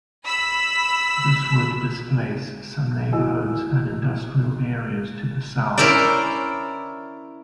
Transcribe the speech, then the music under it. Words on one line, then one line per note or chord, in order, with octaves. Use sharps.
This would displace some neighborhoods and industrial areas to the south.
B5 E6 B6
F#3 E4 D#5 G#5 E6
C#4 E4 A#4 C5 D5